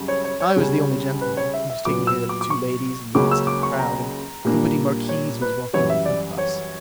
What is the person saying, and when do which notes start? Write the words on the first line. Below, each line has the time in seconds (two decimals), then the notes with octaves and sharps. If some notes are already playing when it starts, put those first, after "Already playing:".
I was the only gentleman; I was taking care of two ladies in the midst of the crowd, and the witty marquise was walking in front of us.
Already playing: F#2 C#3 G3
0.08 C#5
0.24 C#5
0.40 C#5
0.56 C#2 C#3 G3
1.21 B4
1.37 C#5
1.54 E5
1.70 E5
1.85 A#2 F#3 B3 D6
2.07 E6
2.29 D6
2.41 D6
2.50 C#6
3.15 C#2 C#3 F#3 A#3 C#4 D6
3.31 E6
3.47 D6
3.63 C#6
3.79 A#5
4.44 A#2 G3 A#3 D4
5.09 C#5
5.42 B4
5.73 F#2 E3 G3 C#5
5.90 E5
6.05 D5
6.38 C#5